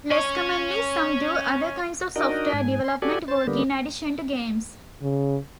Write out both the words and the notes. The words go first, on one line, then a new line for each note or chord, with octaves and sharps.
Less commonly, some do other kinds of software-development work in addition to games.
C#4 C#5
D4 D#4 F#4 A#4 D#5
G#2 G#5
C6
F#4 G4 A4 D5 G#5
C5 A6
D3 G3 A#3 B3
C#3